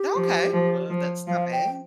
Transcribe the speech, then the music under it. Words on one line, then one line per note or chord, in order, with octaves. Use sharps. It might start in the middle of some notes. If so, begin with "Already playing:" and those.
Okay, well, that's not bad
Already playing: G4
F3
F3
F3
F3 F5
G5